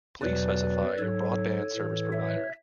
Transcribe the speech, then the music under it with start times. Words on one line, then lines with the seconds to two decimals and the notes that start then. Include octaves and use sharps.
Please specify your broadband service provider.
0.22 E2 B2 F#3 B4 D5
0.98 G#2 F#3 A4 C#5
1.75 A2 E3
2.12 C#5 E5